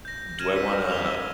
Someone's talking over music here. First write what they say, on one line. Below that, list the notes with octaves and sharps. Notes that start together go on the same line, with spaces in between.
"Do I wanna
G6 A#6
F6 G#6 D#7 E7
E6 B6
E6 A#6
F6 F7 G7
G7